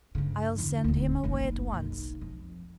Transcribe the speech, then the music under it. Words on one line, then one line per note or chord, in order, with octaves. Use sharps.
I'll send him away at once.
G2 C#3
E2 D3
D#1 D2
F#1 B1
B1
F2